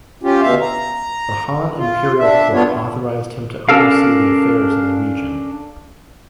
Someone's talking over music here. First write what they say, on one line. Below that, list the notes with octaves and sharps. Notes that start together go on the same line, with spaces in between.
The Han imperial court authorised him to oversee the affairs in the region.
C#4 F4 G4
D2 B2 E5 F5
A#5
F4
D4 E5
B3 D4 F4 C#5
C#4 D4 A4 A#4 F5